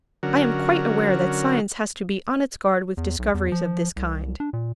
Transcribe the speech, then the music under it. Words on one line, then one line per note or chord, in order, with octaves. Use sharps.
I am quite aware that science has to be on its guard with discoveries of this kind.
D3 F#3 C#4 F#4 A#4
E2
B1
E2
F3
C2
D4
A#2